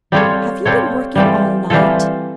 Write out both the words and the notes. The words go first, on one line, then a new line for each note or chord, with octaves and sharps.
Have you been working all night?
G3 C4 F4 A4 C#5
G3 C4 F4 A4 C#5
E3 G3 C4 F4 A4
E3 G3 C4 F4 A4